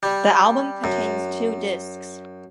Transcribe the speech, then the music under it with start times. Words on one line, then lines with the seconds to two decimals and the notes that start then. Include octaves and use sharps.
The album contains two discs.
0.03 G3
0.84 F#2